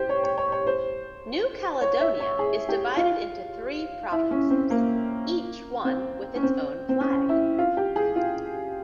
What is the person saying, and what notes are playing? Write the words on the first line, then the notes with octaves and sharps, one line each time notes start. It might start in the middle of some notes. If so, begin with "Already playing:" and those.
New Caledonia is divided into three provinces, each one with its own flag.
Already playing: G4 C5
C#5
C#5
C#5
C#5
C5
C#5
E5
C#5
G#4
G4
F4
E4
C#4
C4
A#3
C4
C#4
C4
C4
C#4
E4
F4
G4
G#4
F4